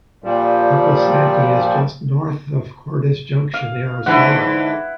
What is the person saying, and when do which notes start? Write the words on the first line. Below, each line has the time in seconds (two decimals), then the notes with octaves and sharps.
Arcosanti is just north of Cordes Junction, Arizona.
0.24 A#2 F3 G3
3.54 F5
4.06 G#2 D3 E3 E4 B4 F#5